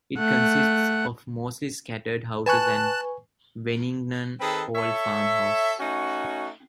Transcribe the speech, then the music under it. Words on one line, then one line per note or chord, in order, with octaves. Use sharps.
It consists of mostly scattered houses and the Wennington Hall farmhouse.
A3 F#5
B4 G#5 A5 C#6 F#6
D#3 C4 G#4 A4 B4
A4 C#5 E5
A3 C#4 D#4 F#4